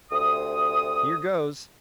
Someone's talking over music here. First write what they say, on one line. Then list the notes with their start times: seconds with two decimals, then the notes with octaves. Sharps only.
"Here goes!"
0.11 D2 C3 D#6